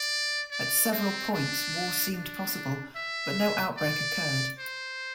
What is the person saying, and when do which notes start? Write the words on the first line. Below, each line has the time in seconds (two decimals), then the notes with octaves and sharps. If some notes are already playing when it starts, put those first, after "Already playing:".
At several points war seemed possible, but no outbreak occurred.
Already playing: D5
0.51 D5
0.92 C4
1.33 D4
2.14 D4
2.96 E5
3.77 D5
4.59 C5